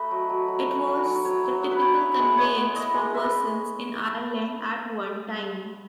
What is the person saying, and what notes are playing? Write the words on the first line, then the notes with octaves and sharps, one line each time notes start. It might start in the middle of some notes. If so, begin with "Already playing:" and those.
It was the typical conveyance for persons in Ireland at one time.
Already playing: A3 B4 D#5
F#3
F#3
F#3
F#3
E4
F#3
F#3 C#5
F#3
B3 C#5
B4
F#3 C#5
E4
G#3
B3 C#5
B3
E4 D#5
G#3
G#3 E5